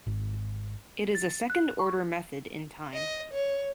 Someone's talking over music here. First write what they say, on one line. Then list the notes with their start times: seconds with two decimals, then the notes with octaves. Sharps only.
It is a second-order method in time.
0.07 G#1
1.15 A6
1.50 F#6
1.79 C#6
2.93 D#5
3.33 C#5